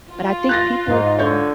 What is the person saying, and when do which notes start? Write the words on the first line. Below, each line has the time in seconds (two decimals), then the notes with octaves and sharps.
But I think people
0.12 F4
0.49 F#6 A6 A#6
0.88 G#2 D#4
1.19 D3 C#5 G6